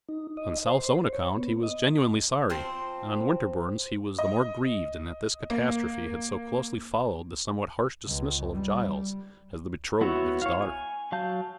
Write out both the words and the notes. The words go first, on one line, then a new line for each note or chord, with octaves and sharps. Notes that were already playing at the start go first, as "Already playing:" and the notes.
On South's own account he was genuinely sorry; and on Winterborne's he was the more grieved in that this catastrophe had so closely followed the somewhat harsh dismissal of Giles as the betrothed of his daughter.
D#4
D#5
C5
C#5
B3
D#5
F3 C4 C5
D#5
A#3
C#2
G3
B3 E4 F#4 C#5 E5
C#5 F5
G#5
F#3 F5 A5 G6